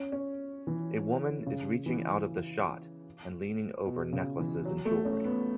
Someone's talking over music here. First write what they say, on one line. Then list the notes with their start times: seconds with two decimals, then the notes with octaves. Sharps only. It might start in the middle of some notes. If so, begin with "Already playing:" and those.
A woman is reaching out of the shot and leaning over necklaces and jewelery.
Already playing: C#4
0.12 C#4
0.67 E3
1.46 C#3
1.86 E3
3.86 B2
4.13 C#3
4.39 E3
4.65 F#3
4.85 A3
5.05 C#4
5.25 B3